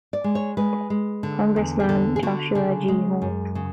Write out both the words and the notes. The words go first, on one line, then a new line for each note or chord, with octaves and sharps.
Congressman Joshua G. Hall.
D5
G#3
C#5
G#3 B4
G#3
D3
E2
G#4
D3 A4
G#4
D3 F#4
C#3 G#4
G#3
F#2
C#3